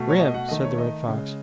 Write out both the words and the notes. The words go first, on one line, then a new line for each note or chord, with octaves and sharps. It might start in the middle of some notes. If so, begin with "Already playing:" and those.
"Rim," said the Red Fox.
Already playing: B2 A3
C#5
D#5
F#5
D#3 A3 D#5
C#5
D#5
C#3 G#3